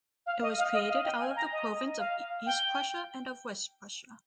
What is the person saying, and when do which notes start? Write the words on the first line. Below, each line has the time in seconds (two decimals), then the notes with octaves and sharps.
It was created out of the Province of East Prussia and of West Prussia.
0.26 F5
0.42 D#5
0.59 F5
0.74 D#5
0.89 F5
1.05 G5
1.20 G#5
1.36 A#5
1.52 D#5
1.99 F5
2.46 G5